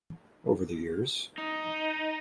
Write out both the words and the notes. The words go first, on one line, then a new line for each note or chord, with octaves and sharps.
Over the years.
D#4